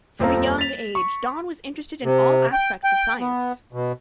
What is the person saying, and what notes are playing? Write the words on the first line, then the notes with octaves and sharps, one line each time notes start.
From a young age Don was interested in all aspects of science.
D#1 F2 C4 A4 F5 A#5
A6 B6 F7
C#6
C3
G5
G5
B3
B2